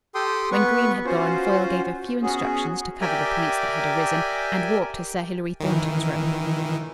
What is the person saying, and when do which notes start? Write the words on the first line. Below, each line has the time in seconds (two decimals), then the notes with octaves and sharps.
When Green had gone, Foyle gave a few instructions to cover the points that had arisen, and walked to Sir Hilary Thornton's room.
0.15 G4 A4 G5 C6 D#6
0.52 B3 B4 C#6
1.06 C#4 F4 F#4 C5
2.23 B3 C#4 F#4 G#4
3.01 G4 A#4 D5 E5 G5 G#5
5.60 D#3 E3